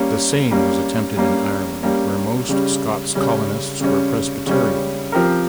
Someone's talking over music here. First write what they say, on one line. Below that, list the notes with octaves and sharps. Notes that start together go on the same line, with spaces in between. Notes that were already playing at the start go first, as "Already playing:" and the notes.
The same was attempted in Ireland, where most Scots colonists were Presbyterian.
Already playing: G3 A#3 C#4
G3 A#3 C#4
G3 A#3 C#4
G3 A#3 C#4
C#3 G3 C#4
C#3 G3 C#4
C#3 G3 C#4
C#3 G3 C#4
F3 C4 G4 A#4